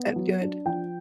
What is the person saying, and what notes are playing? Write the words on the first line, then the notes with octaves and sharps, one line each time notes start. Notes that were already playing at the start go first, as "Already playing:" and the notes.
That good.
Already playing: B3
F#3
D4
F3 G5